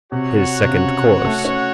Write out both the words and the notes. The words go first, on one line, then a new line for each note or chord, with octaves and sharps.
His second course.
C3 F#4 C#5 F#5
C3
C#3
A3
C#4